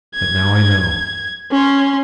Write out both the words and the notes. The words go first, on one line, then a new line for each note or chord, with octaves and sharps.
But now I know.
G#6
C#4 C6